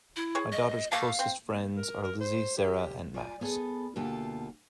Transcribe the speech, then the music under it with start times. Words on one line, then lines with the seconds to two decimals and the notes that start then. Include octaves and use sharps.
My daughter's closest friends are Lizzie, Sarah and Max.
0.16 E4
0.35 G#4 C#5
0.52 D#5
0.92 A3 A#3 F5 A5
1.19 C4
1.43 A#3
1.76 A#4
2.03 A#4
2.21 C5
2.57 G4
3.14 F4 D5 G#5
3.41 B3 G#4 A4
3.96 D2 B2 A#3 F4 G4 A4